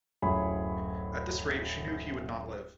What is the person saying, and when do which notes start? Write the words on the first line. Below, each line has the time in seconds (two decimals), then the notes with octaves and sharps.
At this rate she knew he would not live.
0.22 D1 F#2 E4 G#4 C#5 B5